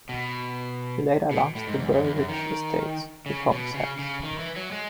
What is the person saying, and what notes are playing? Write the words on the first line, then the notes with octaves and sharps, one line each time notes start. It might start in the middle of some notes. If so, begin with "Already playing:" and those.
He later launched the Burr Ridge Estates, with home sites.
B2
B2
A2
G#2
E2
F#2
E2
F#2
D#3
C#3
B2
C#3
C#3
D#3
E3
F#3
G#3